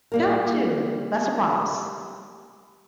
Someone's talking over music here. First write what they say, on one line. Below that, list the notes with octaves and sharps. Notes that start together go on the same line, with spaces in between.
Y'all too, that's a promise.
G3 A#3 A#4